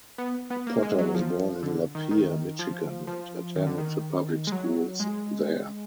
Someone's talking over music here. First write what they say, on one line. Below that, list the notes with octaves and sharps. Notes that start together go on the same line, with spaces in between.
Potter was born in Lapeer, Michigan and attended the public schools there.
B3
B3
A#3
G#3
F#3
F3
D3
D#3
D#3
F3
F3
D#3
D3
D#3
G#3
F#3
G#3